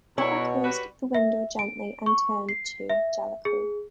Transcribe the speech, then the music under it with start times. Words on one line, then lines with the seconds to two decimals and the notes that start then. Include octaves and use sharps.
Potter closed the window gently and turned to Jellicoe.
0.18 F#2 B2 D3 E4 C#5
0.64 G3 F#4 B4
1.15 E5
1.59 D7
2.06 C#6
2.49 C7
2.89 E5
3.45 G#4